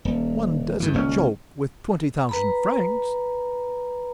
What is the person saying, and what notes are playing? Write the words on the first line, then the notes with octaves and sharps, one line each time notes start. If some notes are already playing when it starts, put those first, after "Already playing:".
"One doesn't joke with twenty-thousand francs."
D#1
G2 E3
D#1 C#2 C#3 C#4
B4 A#5 B5